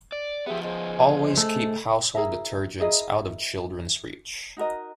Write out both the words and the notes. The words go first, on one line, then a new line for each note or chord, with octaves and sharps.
Always keep household detergents out of children's reach.
D5
F3 B3 G4 G#4 E5
G#4 C5 D#5
A3
E4 G#4 A#4 E5
E4 G#4 A#4 D#5
D#4 F#4 A#4 D#5